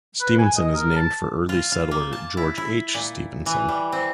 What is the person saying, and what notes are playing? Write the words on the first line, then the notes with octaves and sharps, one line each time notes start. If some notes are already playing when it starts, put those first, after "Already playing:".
Stevenson is named for early settler George H. Stevenson.
B4
G#5
D#5
A#4
A5
F4
F4
A#3
A5
E4
E4
A#2
E3
G3
C4